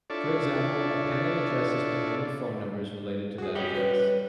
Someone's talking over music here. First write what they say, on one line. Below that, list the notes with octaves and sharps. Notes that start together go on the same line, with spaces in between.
For example, appending addresses with any phone numbers related to that address.
D4 E4 F4 A4 C#5 D5
F#4 G#4
G3 C#4 F#4 G4 D#5
B4